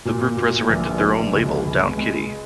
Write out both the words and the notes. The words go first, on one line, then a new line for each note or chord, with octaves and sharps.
The group resurrected their own label Down Kiddie!
A#2
A#2
A#1
A#1
C#2
C#2
G#3